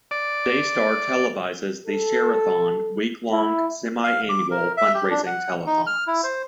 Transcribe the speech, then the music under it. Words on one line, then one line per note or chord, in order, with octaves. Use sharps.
Daystar televises the Sharathon, week-long, semi-annual fundraising telethons.
D5
A4
E4
F5
D6
A#4
E5
G4
D4
F#5
D#4
F6
E4
C5